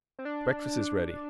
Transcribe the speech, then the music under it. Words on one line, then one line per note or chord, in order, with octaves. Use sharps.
Breakfast is ready.
C4
D4